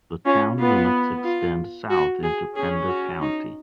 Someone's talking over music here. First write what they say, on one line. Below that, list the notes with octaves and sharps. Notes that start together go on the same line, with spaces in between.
The town limits extend south into Pender County.
C#4 F4
B3 F4
F4
F#4
G#4
C#4 G#4
F#4
D#4